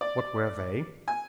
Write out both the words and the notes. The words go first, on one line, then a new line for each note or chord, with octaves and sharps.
"What were they?"
D5
G#5